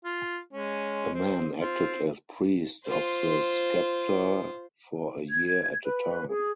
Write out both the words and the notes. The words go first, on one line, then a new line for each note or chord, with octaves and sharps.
A man acted as priest of the scepter for a year at a time.
F4
G#3 C#4
C4
C4 F4
F4 C5
G#6
B4
G#4